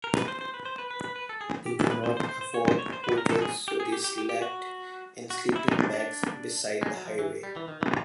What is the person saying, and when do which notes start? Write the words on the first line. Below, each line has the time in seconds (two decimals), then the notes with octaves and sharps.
They could not afford hotels so they slept in sleeping bags beside the highway.
0.04 A#4
0.15 B4
0.28 C5
0.41 C5
0.54 B4
0.65 C5
0.78 B4
0.91 B4
1.04 B4
1.16 B4
1.29 A4
1.41 G#4
1.66 G4
1.79 A4
1.91 B4
2.04 C5
2.17 C5
2.29 C5
2.41 C5
2.54 C#5
2.67 C5
2.79 C#5
2.92 C5
3.04 B4
3.18 A#4
3.30 A4
3.42 G#4
3.68 G4
3.80 G#4
3.92 G4
4.04 G4
4.18 G4
4.29 G4
4.42 F#4
5.30 F#4
5.56 E4
5.68 D#4
5.80 D4
5.94 D4
6.81 G#3
6.93 F#3
7.06 F3
7.19 E3
7.43 G3
7.56 E3
7.68 D#3
7.81 E3